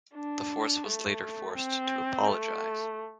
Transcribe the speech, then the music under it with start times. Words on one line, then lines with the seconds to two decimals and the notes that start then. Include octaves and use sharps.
The force was later forced to apologise.
0.15 D4
0.85 A3
1.56 C4
2.27 A3